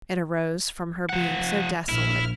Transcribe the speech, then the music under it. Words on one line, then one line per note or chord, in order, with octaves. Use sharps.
It arose from her being so desolate.
F3 F#5
A#1 E4 F6